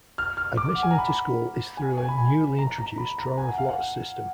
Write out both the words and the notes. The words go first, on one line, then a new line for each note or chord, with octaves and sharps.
Admission into school is through a newly introduced draw of lots system.
F6
F6
D6
F#5
G#5
A#5
B5
G#5
G#5
B5
G#5
A#5
A#5
B5
A#5
G#5
F#5
F5
F#5